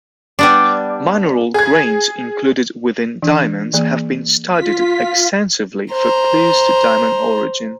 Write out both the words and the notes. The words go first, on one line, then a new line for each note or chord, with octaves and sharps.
Mineral grains included within diamonds have been studied extensively for clues to diamond origin.
G3 B3 D4
G#4 G#6
E3 D4
E3 A#3 G#4
F4 B6
C5 A#5